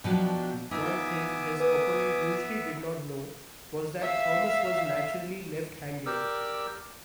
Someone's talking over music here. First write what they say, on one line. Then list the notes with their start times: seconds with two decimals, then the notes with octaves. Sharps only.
One thing his opponent usually did not know was that Thomas was naturally left-handed.
0.04 B2 F3 F#3 D4 G5
0.71 B3 D#4 F4 E5 G#5 D6 D#6
1.60 B4 G#5 D6 D#6
4.02 E5 F5
6.06 G4 A#4 D5 D6 E6